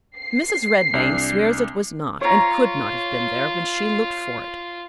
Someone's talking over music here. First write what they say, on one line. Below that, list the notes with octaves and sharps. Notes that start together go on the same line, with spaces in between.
Mrs. Redmain swears it was not, and could not have been, there when she looked for it.
C7
C2 D4
F4 C#5 A#5